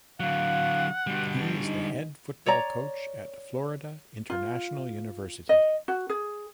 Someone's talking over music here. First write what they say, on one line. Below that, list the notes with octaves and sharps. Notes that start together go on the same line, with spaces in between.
He is the head football coach at Florida International University.
D3 F#3 F5 F#5
B2 D3 G3
B2 G#3 D#4
C#5 D5 A#5
F4
D#5
F#4
G#4